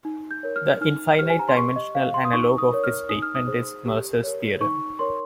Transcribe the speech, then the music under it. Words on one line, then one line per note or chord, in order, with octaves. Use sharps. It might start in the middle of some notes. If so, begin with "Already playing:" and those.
The infinite-dimensional analog of this statement is Mercer's theorem.
D#4
G6
A#4 C#5
F6
D#4 F6
G4 C5 F6
G#5
A#5
C6
G4 C#6
D#5
C5 F5
C6
D#6
D#4 C#6
D#6
A#4 C#5
F6
D#4 D#6
F6
D#6
G#4 C5
G4
A#4 C#5
D#4 C#6
A#4 C#5 C6